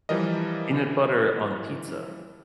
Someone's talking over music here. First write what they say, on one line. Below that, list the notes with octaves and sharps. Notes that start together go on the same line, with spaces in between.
Peanut butter on pizza?
E3 F3 G3 A#4 D#5